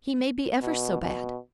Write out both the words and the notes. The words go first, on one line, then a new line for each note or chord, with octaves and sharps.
He may be ever so bad.
B2
B2